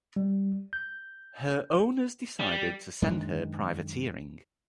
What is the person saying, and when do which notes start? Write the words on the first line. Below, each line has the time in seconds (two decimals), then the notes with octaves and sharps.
Her owners decided to send her privateering.
0.16 G3
0.73 G6
2.40 G3
3.02 F#2 D#3 G#3 D4